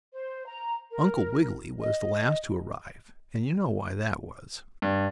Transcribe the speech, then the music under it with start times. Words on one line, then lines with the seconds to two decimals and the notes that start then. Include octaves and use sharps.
Uncle Wiggily was the last to arrive, and you know why that was.
0.13 C5
0.47 A#5
0.91 A#4
1.79 D#5
4.82 G2